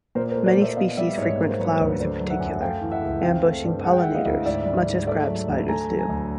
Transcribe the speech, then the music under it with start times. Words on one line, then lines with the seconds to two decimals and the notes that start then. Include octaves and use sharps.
Many species frequent flowers in particular, ambushing pollinators, much as crab spiders do.
0.15 A#2 A#4 C5
0.31 A#4 C5
0.36 A3
0.46 C5 D5
0.56 A#2
0.62 D5 E5
0.77 B3 D#5 F5
0.97 G3 D5 E5
1.18 G#2 C#5 D#5
1.38 A#3 C#5
1.49 C5
1.59 F#3 B4 C#5
1.80 D2
2.00 A3 C5 D5
2.20 F#3
2.30 E5 F#5
2.40 F#2
2.61 A3 F5 G5
2.81 E3
2.92 E5 F#5
3.02 C#2
3.22 C4 F5 G5
3.43 A3
3.64 G2
3.84 G#3 F#5
3.93 G5
4.01 E5 F#5
4.05 E3
4.15 D#5 F5
4.25 D2
4.45 G#2 D5 E5
4.66 G3
4.87 G#2
5.07 A3 D5 E5
5.27 F#3
5.48 D2
5.68 A3 G#5 A#5
5.89 F#3
5.99 G#5 A#5
6.09 D2